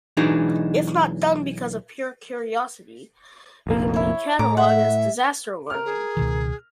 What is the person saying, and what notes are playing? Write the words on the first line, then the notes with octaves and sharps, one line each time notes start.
If not done because of pure curiosity, it can be cataloged as disaster learning.
B1 E3 G#3 D4 D#4 F#4
F1 A#1 A#3
E4 C#5
A2 A#5 D6
E5 F#5
A#4 F6
G#4
C#2 B2 D#3